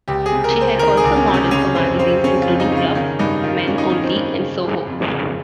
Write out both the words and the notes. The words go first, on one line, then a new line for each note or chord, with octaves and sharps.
She had also modeled for magazines including "Club, Men Only", and "Soho".
C#2 G4
G#4
C3
A#4
C#2
C5
D#3 A#4
G#4
C#2
C#4
C3
C#4
C#3 C#4
F2 C4
C#3 C4
C#3 C#4
F4
F2
D#4
C#3 F4
D#3 C#4
G2 D#4
D#3 F4
G2 C#4
D#4
D#3 C#4
C4
G2
C#3
C#3
F2
C#3